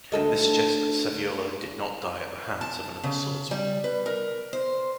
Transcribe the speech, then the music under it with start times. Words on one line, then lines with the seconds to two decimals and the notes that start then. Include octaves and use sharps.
This suggests that Saviolo did not die at the hands of another swordsman.
0.12 D2 A4 D#5
2.61 A5
3.03 C#3
3.51 G3
3.84 B4
4.06 A#4
4.53 C5